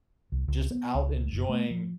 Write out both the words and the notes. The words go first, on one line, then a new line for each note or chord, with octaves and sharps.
just out enjoying
C2
C#2
B3
C#2
F#1
A3
F3